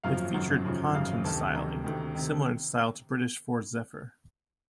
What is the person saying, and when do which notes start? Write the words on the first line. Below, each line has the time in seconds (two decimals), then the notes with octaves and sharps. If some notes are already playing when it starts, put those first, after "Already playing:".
It featured ponton styling, similar in style to British Ford Zephyr.
0.04 G#1 F#2 C#3 F3 F5
0.34 G#1 F#2 C#3 F3 F#5
0.64 G#1 F#2 C#3 F3
0.94 G#1 F#2 C#3 F3 F5
1.24 D2 C3 D#3 A5
1.54 D2 C3 D#3 A#5
1.84 D2 C3 D#3
2.15 C3 D#3